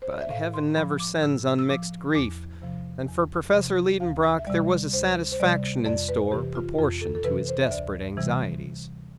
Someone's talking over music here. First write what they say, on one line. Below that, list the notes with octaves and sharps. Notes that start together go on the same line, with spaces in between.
But Heaven never sends unmixed grief, and for Professor Liedenbrock there was a satisfaction in store proportioned to his desperate anxieties.
C5
D5
E5
A2 F5
C6
F3 B5
D6
A2 E6
E6
F3 D6
E2 D6
C3 F3
E2
C3 F3
D2 F5
E5
C3 G3 D5
D2 C5
C5
C3 G3 D5
F2 D5
B4
C3 E3 G4
F4
F2 F4
A4
A4
C3 E3 B4
C5
E5
D2 D5
C3 E3 G3